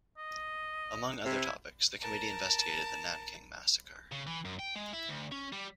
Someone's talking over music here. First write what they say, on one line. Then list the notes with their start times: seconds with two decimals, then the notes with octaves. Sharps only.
Among other topics, the committee investigated the Nanking Massacre.
0.18 D#5
1.25 C3 E4
2.01 A#4 A5
4.12 C#3
4.27 E3
4.45 F#2
4.59 G5
4.75 G#3
4.93 E4
5.09 D2
5.32 C#4
5.52 G3